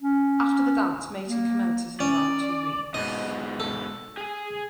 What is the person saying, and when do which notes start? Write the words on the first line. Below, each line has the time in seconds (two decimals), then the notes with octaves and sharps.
After the dance, mating commences in around two weeks.
0.02 C#4
1.27 A#3
2.00 C#4 D5
2.94 G#2 B2 D#5
3.60 A4
4.17 G#4 G#5